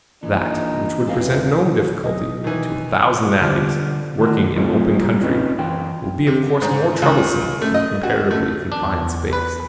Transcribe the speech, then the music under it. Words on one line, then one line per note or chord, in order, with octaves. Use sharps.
That which would present no difficulty to a thousand navvies working in open country will be of course more troublesome in a comparatively confined space.
A#1 E3 D#4
F1 E2 A4 D#5 F5
B2 F#3 D#5
D#3 E3
D3 F3 G3 D5 F6
B3
D#3 A3 F#4
F#3 A3 C4 D#4 F4 G#4
C2 F#2 G3 A#3
C4 C#4 D#4 F4 B4
F#2 E3 G5
C3
G#2
C#2
A3
D#5
F#4
A3
E2 D4
B4